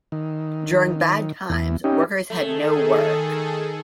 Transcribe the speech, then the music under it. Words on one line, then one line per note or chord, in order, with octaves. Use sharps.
During bad times workers had no work.
D#3
E2
C#4 D#4 G4
D#3 A3 G#4 A4